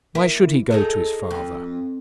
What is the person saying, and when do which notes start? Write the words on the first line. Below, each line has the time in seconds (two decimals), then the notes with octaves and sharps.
Why should he go to his father?
0.15 A#3 E4
0.71 D#4 G#4 A4
1.31 F2